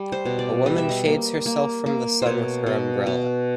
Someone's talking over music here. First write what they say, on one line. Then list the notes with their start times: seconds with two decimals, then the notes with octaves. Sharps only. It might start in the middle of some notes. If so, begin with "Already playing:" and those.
A woman shades herself from the sun with her umbrella.
Already playing: G3
0.12 C5
0.25 B2
0.39 D5
0.66 G3 D#5
0.78 E5
0.89 D#5
1.06 A#3
1.46 A#3
1.86 A#3
2.22 B2 C5 C#5
2.66 B2
3.06 B2